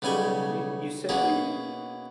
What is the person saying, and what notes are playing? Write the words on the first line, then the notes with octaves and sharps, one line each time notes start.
You you said you
B1 C#3 G3 G#5 B5 C#6
B2 A#3 C#4 F#4 G#4